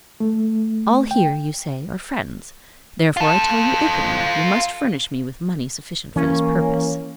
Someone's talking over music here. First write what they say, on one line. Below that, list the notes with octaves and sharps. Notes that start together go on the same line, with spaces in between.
All here you say are friends; therefore I tell you openly, you must furnish me with money sufficient for this purpose.
A3
G5
F4 A4
E3 A#3 C#4